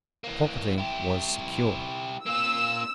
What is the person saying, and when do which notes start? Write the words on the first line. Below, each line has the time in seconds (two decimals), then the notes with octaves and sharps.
Property was secure.
0.24 E3 A#3
0.78 E4 G4
2.26 A#3 F4 E6